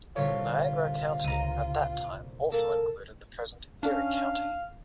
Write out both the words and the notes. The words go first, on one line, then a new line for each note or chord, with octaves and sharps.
Niagara County at that time also included the present Erie County.
C2 A#2 D3 F4 C#5
C#2 A#5 D#7
A#3 A4 A#4
C#4 D4 F5